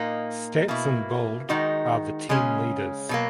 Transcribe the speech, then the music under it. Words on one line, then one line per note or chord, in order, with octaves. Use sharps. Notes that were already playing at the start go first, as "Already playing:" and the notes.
Stats in bold are the team leaders.
Already playing: A#2 A#3 D#4
B2 A#3 E4
D#3 G#3 D#4 F#4
C#3 G#3 C#4
B2 F#3 A#3